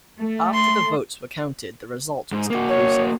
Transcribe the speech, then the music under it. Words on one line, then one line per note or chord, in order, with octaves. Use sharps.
After the votes were counted the result was conclusive.
A3
C6
G#2
A#3 F#4
C#5